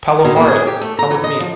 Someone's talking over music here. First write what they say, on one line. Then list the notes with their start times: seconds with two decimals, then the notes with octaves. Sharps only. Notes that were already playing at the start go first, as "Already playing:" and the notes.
Palomares, come with me.
0.24 B2
0.36 A#3
0.48 G#4
0.67 G4
0.81 A3
0.99 A#5
1.11 E3
1.24 D#5
1.40 F3